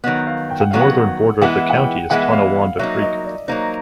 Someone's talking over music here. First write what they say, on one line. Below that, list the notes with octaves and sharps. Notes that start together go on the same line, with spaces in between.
The northern border of the county is Tonawanda Creek.
D#3 F#3 B3 D#5
F5
G5
F#5
D#3 F#3 B3 F5
F#5
E3 G#3 B3 E4 F#5
F#5
G5
E3 G#3 B3 E4 F#5
F5
F5
F#3 A#3 D#4 E5
D#5
D5
F#3 A#3 D#4 C5